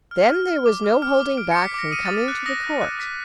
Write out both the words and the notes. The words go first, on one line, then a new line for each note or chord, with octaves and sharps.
Then there was no holding back from coming to the court.
F6
F6
F6
D6
F6
F6
D6
F6 D7
C#7
D6
B6
D6 A#6
D#6 D#7
A6
D#6
F#6 A6
D#6 A#6
F#6
F#6
D#6 B6